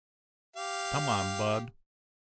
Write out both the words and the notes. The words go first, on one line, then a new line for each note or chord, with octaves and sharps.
Come on, Bud.
G4 F5